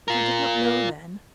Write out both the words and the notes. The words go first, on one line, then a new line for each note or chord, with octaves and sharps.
But I did not know then.
F4 A#4